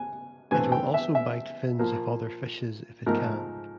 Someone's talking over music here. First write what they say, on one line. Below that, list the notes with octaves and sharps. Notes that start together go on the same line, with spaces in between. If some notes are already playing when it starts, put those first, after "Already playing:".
It will also bite fins of other fishes if it can.
Already playing: G#5
G2 E3 A3 C4 G#5
G5
E5
E5
A#2 F3 A#3
G#2 F3 A3 A#4